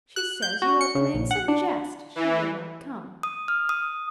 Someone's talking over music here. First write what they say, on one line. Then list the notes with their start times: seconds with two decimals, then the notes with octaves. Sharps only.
"She says you are playing some jest, she will not come."
0.16 F#6
0.42 G6
0.62 F#4
0.81 C#7
0.95 C#3
1.14 A#1
1.31 F#5
1.48 D4
2.16 E3
3.23 D#6
3.48 F6
3.69 D#6